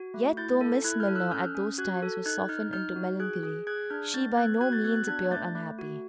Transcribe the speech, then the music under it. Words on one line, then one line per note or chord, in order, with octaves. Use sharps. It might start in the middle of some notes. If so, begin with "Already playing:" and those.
Yet though Miss Milner at those times was softened into melancholy, she by no means appeared unhappy.
Already playing: F#4
A3
E4 G6 A6
A4
E4 F#6 G#6
F6 G6
A4
E6 F#6
C#4 F6 G6
C#4
F#4 F#6 G#6
A4
D#4 F#6 G#6
D#4 F6 G6
D#4 F6 G6
F#4
G#4 F#6 G#6
G#4
G#4 F#6 G#6
D4 F6 G6
B3 G6 A6
B3 F#6 G#6
F#4 F#6 G#6
G6 A6
B3 F#6 G#6
F#6 G#6
D4 F#6 G#6
A3 G6 A6
A3
F#4